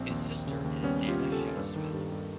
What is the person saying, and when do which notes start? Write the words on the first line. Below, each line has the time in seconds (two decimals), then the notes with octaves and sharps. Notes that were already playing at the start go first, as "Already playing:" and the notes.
His sister is Dana Shell Smith.
Already playing: A#1 C4
0.10 D#2
0.28 D#2
0.47 C#3
0.64 D#2
0.83 G3 B3 C#4
1.01 G3
1.08 F4 G4
1.21 C#3
1.32 G4 A4
1.39 D#2
1.57 G2
1.76 D#3
1.93 G2
2.12 G2